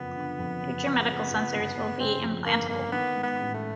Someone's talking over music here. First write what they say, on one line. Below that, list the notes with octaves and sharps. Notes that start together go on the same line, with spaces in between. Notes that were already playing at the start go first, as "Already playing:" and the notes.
Future medical sensors will be implantable.
Already playing: F#1 F2 F3 B3
D3
F2
F#1
F3
C#3
F2
G1
G1
C#3 C4
F2
G1 A#3
G1 A#3
D#3 B3
G#2
B3
A1
A3